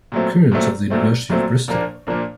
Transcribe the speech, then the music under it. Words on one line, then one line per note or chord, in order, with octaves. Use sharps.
Kearns of the University of Bristol.
A#2 F#3 A3 C4
A#2 F#3 A3 C4
A#2 F#3 A3 C4
A#2 F#3 A3 C4
A#2 F3 A#3 D4
A#2 F3 A#3 D4